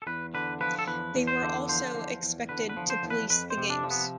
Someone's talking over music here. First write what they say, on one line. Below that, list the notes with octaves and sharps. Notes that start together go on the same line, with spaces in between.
They were also expected to police the games.
A4
E2 B4
D3 B4
F3 B4
A4
E2 B4
E2
C5
D3
F3 C5
E2
E2
D3 B4
B4
F3
C5
E2
B4
F2 B4
C5
C3
D4
F3
B3